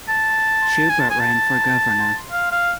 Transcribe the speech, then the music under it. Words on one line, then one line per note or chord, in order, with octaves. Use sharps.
Shubert ran for Governor.
A5
G#5
A5
G#5
A5
F5
F5